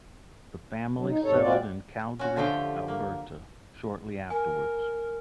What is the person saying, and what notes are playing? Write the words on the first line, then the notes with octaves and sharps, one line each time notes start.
The family settled in Calgary, Alberta shortly afterwards.
D3 F#3
D#4
E2 G#2 C3 A4 C#5
G#3 C4 F4 F#4 D5
C#4 F#4
D3 F3 A3 G4 G5
A#3
A#4 G#5